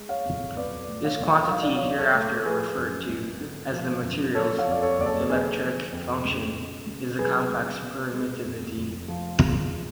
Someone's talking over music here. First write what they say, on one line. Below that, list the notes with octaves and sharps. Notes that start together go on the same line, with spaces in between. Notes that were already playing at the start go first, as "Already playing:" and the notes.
This quantity, hereafter referred to as the materials' "dielectric function," is the complex permittivity.
Already playing: G#3
C#5 F5
F2
B1 B4 D5
A2
C#5 F5
B1
F#3 F5
D5
C#5 F5
B1
A4 C#5
A2
F3 G#4 B4
F#2
G#1
D3
F3
F#2
F3 A4 C#5
C#5 F5
F2 D5
A4 C#5
F#1 D5
A4 C#5
D3 G#4 B4
F3
F2
C#2
B2
C#2
F#3 G#4 B4
C#2
B2
G#3
F2
F1
F3
G#3